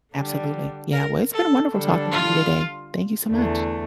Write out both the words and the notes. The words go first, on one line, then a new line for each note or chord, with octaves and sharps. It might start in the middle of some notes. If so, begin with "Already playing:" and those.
Absolutely. Yeah, well, it's been wonderful talking to you today. Thank you so much.
D3 G3 D4
A#4
A4
D3 G3 D4 A4
F4
E2 D3 A3